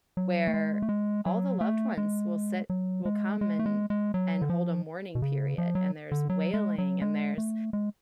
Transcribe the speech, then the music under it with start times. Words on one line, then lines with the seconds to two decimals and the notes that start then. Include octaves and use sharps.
where all the loved ones will sit will come and and hold a mourning period. And there's wailing, and there's,
0.17 F#3
0.47 A3
0.54 G#3
0.82 A3
0.89 G#3
1.26 F#3
1.61 A3
1.98 G#3
2.70 F#3
3.05 G#3
3.41 G#3
3.59 A3
3.66 G#3
3.90 G#3
4.14 F#3
4.42 D3
4.50 F3
5.15 B2
5.22 C#3
5.58 F3
5.75 F#3
6.12 D3
6.29 F#3
6.54 G#3
6.78 F#3
7.02 G#3
7.38 A3
7.73 G#3